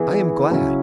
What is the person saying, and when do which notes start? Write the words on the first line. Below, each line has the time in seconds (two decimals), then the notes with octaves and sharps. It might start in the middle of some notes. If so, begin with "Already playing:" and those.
"I am glad."
Already playing: E3 B3 E4 G#4
0.50 C#3 F#3 C#4 E4